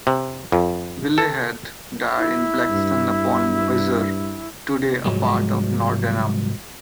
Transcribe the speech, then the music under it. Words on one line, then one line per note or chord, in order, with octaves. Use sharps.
Willehad died in Blexen upon Weser, today a part of Nordenham.
C3
F2
A4
E4
G2
C2 G#2 F3 F#3 G#3